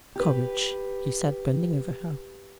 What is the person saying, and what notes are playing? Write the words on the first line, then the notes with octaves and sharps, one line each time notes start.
"Courage!" he said, bending over her.
G4 B4